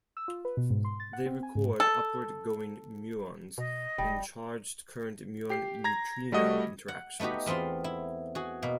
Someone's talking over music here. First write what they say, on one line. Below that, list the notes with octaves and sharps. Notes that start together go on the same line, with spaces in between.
They record upward going muons in charged current muon neutrino interactions.
E6
F4
B4
B2
G#2
C6
A6
F#5
C4
G#5
G#2
A4
B2 D#5
E1 G3
G4 C7
A#5 G#6 A#6
G3 A3 F#4 D#5 D#6
F#5
A3 B3 D#4 F#4 G4
E2 B3 C4 F4 C6
E4
F#4 G#4
B2 A#3